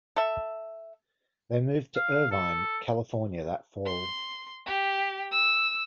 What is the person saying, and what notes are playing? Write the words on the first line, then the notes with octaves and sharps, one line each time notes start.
They moved to Irvine, California that fall.
A4 E5
F5
A4
C6
G4
E6